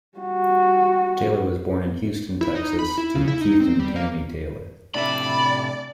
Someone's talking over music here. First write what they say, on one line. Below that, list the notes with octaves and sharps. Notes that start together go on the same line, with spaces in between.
Taylor was born in Houston, Texas, to Keith and Tammy Taylor.
G3 F#4
E4
D#4
B5
E4
C#3
E4
D#4
C4
G3
A#3
A2 C3 D4 D5 E5 B5